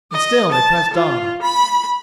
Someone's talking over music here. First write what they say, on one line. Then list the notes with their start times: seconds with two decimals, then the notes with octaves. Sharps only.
And still they pressed on.
0.12 D#5
0.51 A5
0.93 F4
1.42 B5